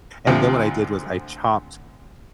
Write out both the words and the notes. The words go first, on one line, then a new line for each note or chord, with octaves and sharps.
And then what I did was I chopped
D2 C3 F3 C4